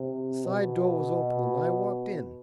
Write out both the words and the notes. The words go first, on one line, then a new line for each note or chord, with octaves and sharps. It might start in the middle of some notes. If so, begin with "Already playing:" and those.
The side door was open and I walked in.
Already playing: C3
B2